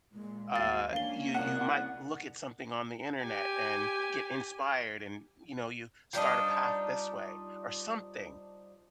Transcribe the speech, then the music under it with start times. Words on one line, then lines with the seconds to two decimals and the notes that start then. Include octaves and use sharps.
uh, you you might look at something on the internet and get inspired and, you know, you start a path this way, or something.
0.14 A#2 G#3
0.56 D#2 F#4 F5 A6
0.93 A#3 C#4 D4 F5 G7
1.34 C2 A#4 F#5
3.24 G4 G#5
6.13 F3 G3 D4 D#4